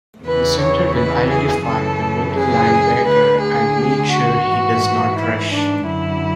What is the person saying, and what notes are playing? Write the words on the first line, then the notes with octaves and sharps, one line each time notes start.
The center will identify the middle linebacker and make sure he does not rush.
E2 C#3 E3 B4
C#5
B4
G#4
F#2 C#3 E3 A4
G#4
D2 D3 B4
G#4
F#4
G#2 E3
E4
D4
F#2 D3 E4